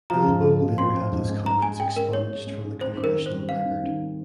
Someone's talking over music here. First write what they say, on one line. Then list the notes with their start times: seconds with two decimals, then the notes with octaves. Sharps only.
Bilbo later had his comments expunged from the "Congressional Record".
0.10 F3 A#5
0.27 G#2
0.43 F3
0.60 F3
0.78 C4 C6
0.95 C4
1.12 G#2
1.29 G#3
1.45 G#3 A#5
1.62 G#3 G#5
1.80 G#4 G5
1.96 G#3 A#4
2.13 G#3 C#5
2.30 G#3
2.47 G#3
2.65 G#4
2.81 C4 C5
2.98 D#3
3.04 A#4
3.16 C4
3.26 C5
3.32 G3
3.49 C4 F5
3.66 D#3
3.83 D#3
4.00 C4